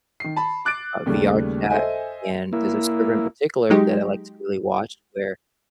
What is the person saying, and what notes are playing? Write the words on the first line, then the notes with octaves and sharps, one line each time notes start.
uh, VR chat, and there's a server in particular that I like to really watch where
D#3 C7
A5 B5
D6 F#6 A6 D7
D#2 C#3 G3 A3
A4 C5 D#5 E5 G#5
A#3 E4
F#3 G#3 D#4 G4